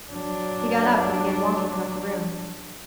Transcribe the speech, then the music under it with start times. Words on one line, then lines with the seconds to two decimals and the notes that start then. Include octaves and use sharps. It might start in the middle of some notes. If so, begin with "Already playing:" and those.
He got up and began walking about the room.
0.12 F#3 D4